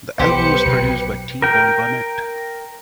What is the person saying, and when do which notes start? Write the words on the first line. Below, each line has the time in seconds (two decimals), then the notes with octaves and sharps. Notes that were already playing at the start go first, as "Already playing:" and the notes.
The album was produced by T-Bone Burnett.
0.19 B1 G4 B4 C5 C#7
0.66 B1 B2 F#3
1.42 A#4 G5